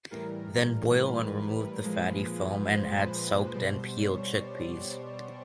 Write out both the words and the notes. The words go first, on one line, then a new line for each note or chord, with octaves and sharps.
Then boil and remove the fatty foam and add soaked and peeled chick peas.
A2 E3 G3 A#4
B4
A#2 F3 G#3
C5
B4
B4
B2 G3 C5
C#5
D5